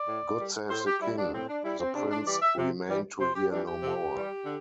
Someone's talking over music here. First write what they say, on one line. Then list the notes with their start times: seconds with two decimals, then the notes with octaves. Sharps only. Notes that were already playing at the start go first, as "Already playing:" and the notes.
God save the king! The prince remained to hear no more.
Already playing: D5
0.08 A2
0.39 G3
0.70 A2 C5
0.86 G4
1.02 G3 E4
1.17 D4
1.33 A2 C4
1.48 D4
1.64 G3 E4
1.80 C4
1.95 C3 D4
2.11 D4
2.26 E3 G3 D5
2.42 E5
2.58 C3
2.89 E3 G3
3.20 C3 C5
3.36 G4
3.51 E3 G3 D4
3.67 G4
3.83 C3
4.14 E3 G3
4.45 D3